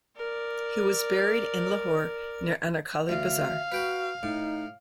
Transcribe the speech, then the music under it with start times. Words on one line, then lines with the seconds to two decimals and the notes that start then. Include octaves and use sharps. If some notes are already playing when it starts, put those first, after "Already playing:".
He was buried in Lahore near Anarkali Bazaar.
0.17 A#4 D5
3.09 D2 E5 F5
3.72 F#4 B4 G5 B5
4.23 A2 D#4